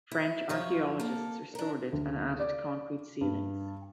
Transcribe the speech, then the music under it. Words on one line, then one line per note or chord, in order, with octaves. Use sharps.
French archaeologists restored it and added concrete ceilings.
E4
F#2 F3 F4 C#5
A#3 A4
D4 A#4
D2
D5
G2